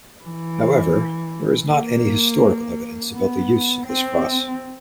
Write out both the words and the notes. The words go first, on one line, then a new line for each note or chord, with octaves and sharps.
However, there is not any historical evidence about the use of this cross.
E3
A#3
B3
C4